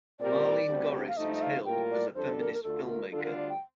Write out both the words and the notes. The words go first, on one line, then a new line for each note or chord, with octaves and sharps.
Marleen Gorris is hailed as a feminist filmmaker.
A#2 G3 C4 G4 A#4 D5
D2 C3 G3 C4 G4
F5
G2 F3 A3 D#4 D#5
D#5
F5
A2 G3 A#3 F4 A#4 G5
D5
F2 D3 G3 D4 A4 C5
A#4
A#4
D2 D3 A3 D4 F4 A4
A#4
D2 D3 G3 D4 F4 A4
A#4
D5
G5